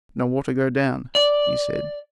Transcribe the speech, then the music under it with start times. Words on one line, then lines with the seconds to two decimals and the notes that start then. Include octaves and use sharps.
"No water go down," he said.
1.15 D5